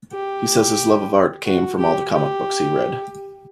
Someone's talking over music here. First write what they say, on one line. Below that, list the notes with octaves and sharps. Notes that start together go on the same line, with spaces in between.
He says his love of art came from all the comic books he read.
G4
F#4
G4
G4